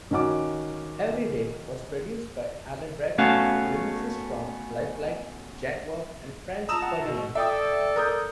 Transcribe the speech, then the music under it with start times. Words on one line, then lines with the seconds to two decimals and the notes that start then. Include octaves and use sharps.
"Everyday" was produced by Alan Braxe with remixes from LifeLike, Jakwob, and Franz Ferdinand.
0.11 D#3 C#4 F#4 D6
3.18 A3 B3 C#4 F#4 F5
6.69 F4 A5 A#5 D#6 E6 E7
6.82 F#5
7.04 B2
7.35 A4 D5 E5 G5 D#6
7.96 A#4 D#6 G6